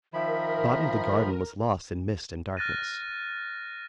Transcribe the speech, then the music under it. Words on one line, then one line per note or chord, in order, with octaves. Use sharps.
The bottom of the garden was lost in mist and darkness.
D#3 F3 A#4 E5 B5
F6 F#6 A6 A#6 D#7